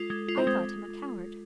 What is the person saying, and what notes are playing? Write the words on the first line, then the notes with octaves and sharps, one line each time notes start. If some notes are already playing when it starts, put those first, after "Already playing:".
I thought him a coward.
Already playing: G#3 F4 A4
G#3
F4
C4 C5
G#3